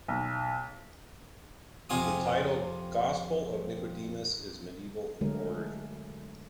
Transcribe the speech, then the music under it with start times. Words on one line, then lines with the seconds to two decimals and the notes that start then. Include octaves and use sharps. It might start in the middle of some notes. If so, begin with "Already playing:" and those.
The title "Gospel of Nicodemus" is medieval in origin.
0.08 B1
1.90 F2 C3 F4 G#5 D#6
5.21 D3 F#3 G#3 A3 A#4